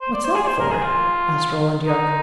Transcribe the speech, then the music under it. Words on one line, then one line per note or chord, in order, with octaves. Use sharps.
"What's that for?" asked Roland Yorke.
C5
D5
C5
G#4
D5
C5
A#4
G#4
F4
D#4